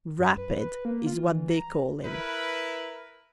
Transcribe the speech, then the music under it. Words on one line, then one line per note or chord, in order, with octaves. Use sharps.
"Rapid" is what they call him.
F#2
B4
B4
A#3
F4
E3
A#5
E4 A#4 B4